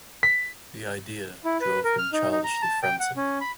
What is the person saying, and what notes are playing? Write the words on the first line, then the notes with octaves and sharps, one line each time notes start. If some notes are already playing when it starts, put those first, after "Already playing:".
The idea drove him childishly frantic.
B6
E4
B4
A#4
F6
D#4
D#4
A#5
A5
G5
F#5
C#4
B5